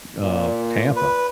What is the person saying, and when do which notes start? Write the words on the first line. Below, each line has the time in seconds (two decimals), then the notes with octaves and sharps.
uh, Tampa;
0.21 A#2
0.96 B4